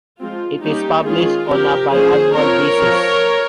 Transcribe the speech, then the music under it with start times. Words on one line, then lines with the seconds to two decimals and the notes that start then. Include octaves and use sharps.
It is published on a biannual basis.
0.20 F3 G#3 C4 F4
0.63 G3 A#3 C#4 D#4 G4
1.06 D#3 G#3 C#4 F4 G#4
1.49 F3 C4 G4 A#4
1.92 F3 A#3 C#4 G#4 C5
2.35 F3 C4 A#4 C#5
2.79 F3 C4